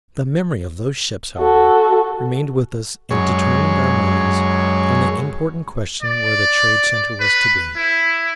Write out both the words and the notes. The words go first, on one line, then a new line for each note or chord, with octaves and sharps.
The memory of those ships, however, remained with us and determined our minds on the important question where the trade center was to be.
F#4 A4
F#2 G#3 C#5
D5
B4
E4